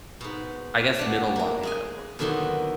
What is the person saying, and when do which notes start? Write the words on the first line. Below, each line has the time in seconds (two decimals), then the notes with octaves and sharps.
I guess, middle line that works for you.
0.21 G#2 B2
0.99 D4 F#5
1.36 A#3 A#5
1.63 G#3 D#5 G#5
2.19 B2 D3 D#3 F#3 E4 C6